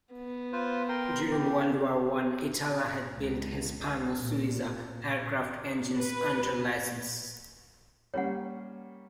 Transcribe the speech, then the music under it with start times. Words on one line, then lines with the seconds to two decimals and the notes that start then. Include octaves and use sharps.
During World War One Itala had built Hispano-Suiza aircraft engines under license.
0.14 B3
0.53 F4 B4 C5
0.89 A#4 G5 C6
1.32 G4
3.11 C#2
4.17 A#2
5.97 B4
8.14 G3 A#3 C#4 C#5 F#5